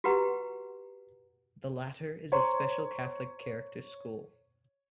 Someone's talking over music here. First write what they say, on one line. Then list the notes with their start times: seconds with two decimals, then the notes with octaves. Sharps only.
The latter is a special Catholic character school.
0.04 F#4 G4 B4 F#5 A#5
2.32 C5 C#5 A#5 C6